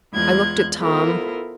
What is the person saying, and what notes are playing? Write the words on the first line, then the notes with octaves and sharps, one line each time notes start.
I looked at Tom.
E2 G#3 F4 F#6 G#6
B3 E4 F4 A4 A#4 C5